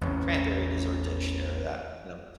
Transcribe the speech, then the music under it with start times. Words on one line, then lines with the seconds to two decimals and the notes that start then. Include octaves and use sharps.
cranberry dessert dish there that, you know,
0.01 A1 E2 A#3 C#4